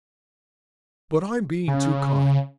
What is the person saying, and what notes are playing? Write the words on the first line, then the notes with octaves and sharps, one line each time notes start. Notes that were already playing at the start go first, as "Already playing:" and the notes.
But I'm being too kind.
C#3